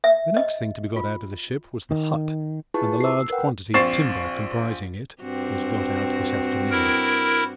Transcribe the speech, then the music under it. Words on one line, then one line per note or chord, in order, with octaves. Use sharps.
The next thing to be got out of the ship was the hut, and the large quantity of timber comprising it was got out this afternoon.
E5
D#5
F4
D#3
E4 F4 G#4 B4 A5 C#6
E6 C7
A#4 B4 F#5 G5
A#1 C4 C#6 A6 C7 E7
G2 C4 F#4
E4 A#4